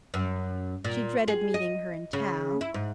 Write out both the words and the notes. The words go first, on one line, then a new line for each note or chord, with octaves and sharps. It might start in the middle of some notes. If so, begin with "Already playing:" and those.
She dreaded meeting her in town.
F#2
A#2
G#4
D#5
C#3
E4
G#2